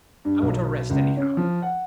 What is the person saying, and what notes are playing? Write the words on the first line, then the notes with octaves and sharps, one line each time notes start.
"I want a rest anyhow...."
G2
B1
C#2
C#4
F3
F#5